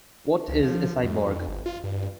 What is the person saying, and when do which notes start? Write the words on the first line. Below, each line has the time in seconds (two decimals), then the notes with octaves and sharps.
What is a cyborg?
0.48 C#2
0.63 F3
1.03 F2
1.48 G1
1.66 F4
1.84 G2